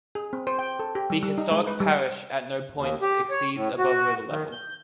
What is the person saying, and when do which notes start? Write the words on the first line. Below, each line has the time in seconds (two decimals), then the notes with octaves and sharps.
The historic parish at no points exceeds above river level.
0.15 G#4
0.33 C4
0.47 C5
0.59 G5
0.79 A4
0.95 G4
1.10 G3
1.23 G3
1.38 D#4
1.51 G#3
1.67 B4
1.80 G3
2.74 D#2
3.02 G4
3.30 C#5
3.53 A2
3.78 F#4
4.29 D#3
4.52 G6